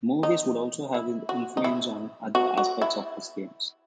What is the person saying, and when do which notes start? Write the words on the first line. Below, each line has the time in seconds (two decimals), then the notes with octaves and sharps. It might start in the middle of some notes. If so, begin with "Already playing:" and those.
Movies would also have influence on other aspects of his games.
0.23 D#4
0.94 E4
1.29 F#4
1.57 D#4
1.64 E4
2.35 F#4
2.58 F#4
2.82 E4